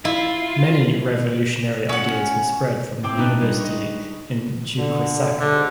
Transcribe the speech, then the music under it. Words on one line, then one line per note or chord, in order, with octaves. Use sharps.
Many revolutionary ideas were spread from the University in Chuquisaca.
E4 F4
C#4 F#5
A2 C4 G5 D6
D4 D#4 B4 F#6 B6
G3 G#3
D#5 C#6
D3
D3
G#2 F#3 G4